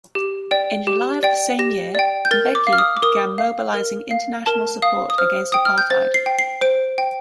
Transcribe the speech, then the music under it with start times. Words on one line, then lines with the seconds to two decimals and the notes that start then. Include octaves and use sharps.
In July of the same year, Mbeki began mobilising international support against apartheid.
0.15 G4
0.51 D5 G5
0.87 G4
1.23 D5 G5
1.59 G4 A#6
1.95 D5 G5
2.25 G6
2.31 A#4 A6
2.55 D6
2.67 F5
2.73 F6
2.78 D#6
2.97 D6
3.02 A#4 D#6
3.38 F5
3.74 A#4
4.11 F5
4.46 A#4 A5
4.82 F5 D#6
5.10 D#6
5.18 C5 F6
5.52 G5 D#6
5.65 F6
5.78 G6
5.90 C5 A6
6.14 C7
6.26 G5
6.39 C7
6.61 C5 D7
6.98 G5